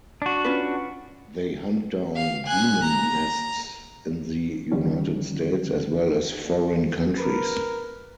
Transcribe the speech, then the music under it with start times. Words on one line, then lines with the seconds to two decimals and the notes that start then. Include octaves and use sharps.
They hunt down demon nests in the United States, as well as foreign countries.
0.22 D4 F#4
0.44 C#4 F4 B4
2.16 F5
2.47 G#5 F#6
2.84 A#5
4.71 D3 D#3 F3 G3 C#4
7.18 A#4 B4